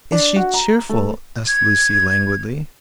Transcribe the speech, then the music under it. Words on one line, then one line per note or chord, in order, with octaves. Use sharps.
"Is she cheerful?" asked Lucy languidly.
D4
F#4
A#5
A3
G#6